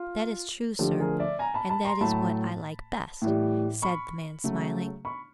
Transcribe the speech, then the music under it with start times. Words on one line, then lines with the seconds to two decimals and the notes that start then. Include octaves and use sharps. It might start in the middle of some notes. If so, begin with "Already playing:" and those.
"That is true, sir, and that is what I like best," said the man, smiling.
Already playing: F4
0.79 D3 F3 A3 G4 A4
0.99 G#4 A#4
1.19 D5 E5
1.39 G#5 A#5
1.54 A5 B5
1.69 A5 B5
1.85 A#5 C6
2.00 A2 F#3 A3 A5 B5
3.22 A2 E3 G3
3.82 B5 C#6
4.44 C#3 F#3 A3
5.05 B5 C#6